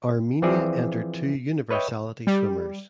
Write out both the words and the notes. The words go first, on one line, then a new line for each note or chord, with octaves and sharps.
Armenia entered two universality swimmers.
E3 F3 C4 G#4 D5
B4 C#5 D#5 E5 G5
G3